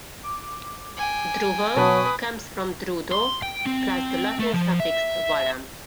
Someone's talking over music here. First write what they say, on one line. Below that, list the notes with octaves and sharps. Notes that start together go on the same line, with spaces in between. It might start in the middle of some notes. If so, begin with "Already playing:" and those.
"Druval" comes from "Drudo" plus the Latin suffix "vallem".
D6
G5 G#5
B2 F#3 B4 A5 C#6 D#6
C6
G5
C4
A3
F3
E5